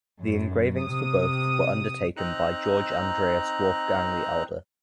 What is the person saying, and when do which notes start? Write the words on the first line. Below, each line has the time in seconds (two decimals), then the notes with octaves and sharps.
The engravings for both were undertaken by Georg Andreas Wolfgang the Elder.
0.21 F#2
0.85 C3 D#6
2.17 C4 D#4 A#5 F#6